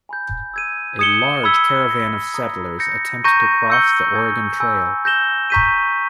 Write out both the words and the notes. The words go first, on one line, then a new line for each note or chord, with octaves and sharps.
A large caravan of settlers attempt to cross the Oregon Trail.
G#5 B5 G6
E6 G#6 D#7
D#6 G#6 C#7 E7 G7
B5 E6 G#6 B6 G7
E6 A#6 C#7
A#5 D#6 A#6
G6 A#6 C#7
A#5 C#6 G6 A#6 D#7
E6 G6 C#7 G7
G#5 D#6 G#6
G#5 B5 E6 G6
G6 A#6 E7 G7
A#5 C#6 G6 B6 D#7